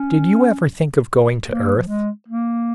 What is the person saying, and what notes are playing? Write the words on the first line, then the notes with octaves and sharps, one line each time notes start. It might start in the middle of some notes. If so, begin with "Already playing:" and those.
"Did you ever think of going to Earth?"
Already playing: C#4
A#3
F3
G#3
A#3